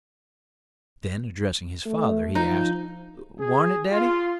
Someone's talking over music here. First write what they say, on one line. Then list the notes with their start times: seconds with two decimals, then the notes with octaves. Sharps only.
Then addressing his father, he asked, "War'n't it, daddy?"
1.86 A3
2.35 F3 D#4
3.39 G#4
3.91 F4